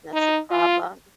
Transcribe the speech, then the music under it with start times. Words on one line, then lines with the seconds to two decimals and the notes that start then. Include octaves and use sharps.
That's a problem.
0.14 D#4
0.51 F4